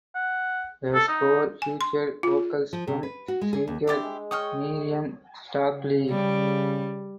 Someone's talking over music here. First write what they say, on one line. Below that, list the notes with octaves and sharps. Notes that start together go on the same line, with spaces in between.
The score featured vocals from singer Miriam Stockley.
F#5
A4
D#4
G#5
C6
F4
F3
C3
B4
F#4
G#3
G#4
D#2
D4 E4 G4 C5 D6 A6
G#3
C#5 D#5 G5 C#6 D#6 F6
C#3
G3